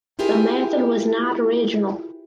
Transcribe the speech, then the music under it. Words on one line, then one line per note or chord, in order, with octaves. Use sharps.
The method was not original.
E4 F4 G4 G#4 A#4 B4